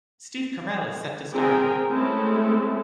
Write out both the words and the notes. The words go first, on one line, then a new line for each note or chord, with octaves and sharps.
Steve Carell is set to star in it.
C4 G#4 A#4 G5 G#5
G#3 A3 C4 C#4 E4 A4